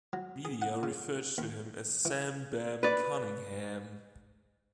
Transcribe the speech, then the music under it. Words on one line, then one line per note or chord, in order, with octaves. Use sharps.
The media referred to him as Sam "Bam" Cunningham.
F#3
G#4
F#5
C#3
D#2
E3
B4 D5